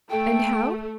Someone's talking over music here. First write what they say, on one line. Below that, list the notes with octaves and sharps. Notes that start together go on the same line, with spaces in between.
And how?
A3 G5